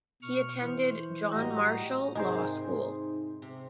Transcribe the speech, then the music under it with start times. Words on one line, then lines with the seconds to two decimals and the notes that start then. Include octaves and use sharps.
He attended John Marshall Law School.
0.22 B2 C#6 F6
0.61 E3 C5
1.33 A2 G3 F#4 G4 D#5 A#5
2.15 G#2 C3 D#4 G#4 A#4 C5
3.42 C3